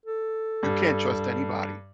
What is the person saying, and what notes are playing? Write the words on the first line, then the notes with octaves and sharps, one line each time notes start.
you can't trust anybody,
A4
G2